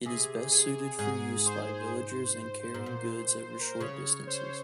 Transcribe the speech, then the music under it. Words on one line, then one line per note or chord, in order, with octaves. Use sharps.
It is best suited for use by villagers in carrying goods over short distances.
C3 G#4
G#4
G#2 G#4
C5
G#2
A#2
A#4
C5
C#3 C#5
C5